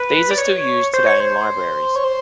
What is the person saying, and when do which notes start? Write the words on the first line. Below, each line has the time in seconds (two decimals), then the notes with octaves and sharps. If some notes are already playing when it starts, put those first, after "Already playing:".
These are still used today in libraries.
Already playing: B4
0.31 D5
0.38 C#5
0.94 C5
1.06 C#5
1.20 C5
1.96 C#5
2.04 C5